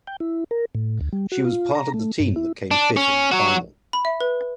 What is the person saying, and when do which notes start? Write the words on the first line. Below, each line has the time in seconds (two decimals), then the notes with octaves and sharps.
She was part of the team that came fifth in the final.
0.07 G5
0.20 E4
0.51 A#4
0.75 A2
1.01 D2
1.13 G3
1.32 F#4
1.45 F4
1.75 A#5
1.94 A3
2.20 G2
2.36 E4
2.71 D4
2.97 C#4
3.32 F#3 F#4
3.93 B5
4.05 E5
4.21 B4